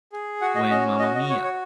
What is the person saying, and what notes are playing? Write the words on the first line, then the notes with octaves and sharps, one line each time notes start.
When Mamma Mia!
G#4
F#4 F#5
D#5
C#4 D#5
F#4 D#5
D#5
F#4 C#5
C#5